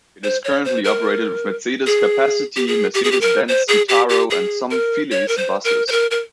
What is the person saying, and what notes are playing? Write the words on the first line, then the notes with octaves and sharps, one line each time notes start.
It is currently operated with Mercedes Capacity, Mercedes-Benz Citaro, and some Phileas buses.
C5
C#5
C5
A#4
G#4
G4
G#4
G4
G#4
G4
A#4
C5
G#4
G4
G4
G#4
A#4
C#5
A#4
C5
A#4
C5
A#4
A#4